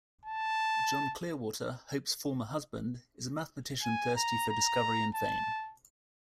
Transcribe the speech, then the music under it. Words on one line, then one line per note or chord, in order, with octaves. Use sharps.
John Clearwater, Hope's former husband, is a mathematician thirsty for discovery and fame.
A5
G#5
A#5
A#5
A5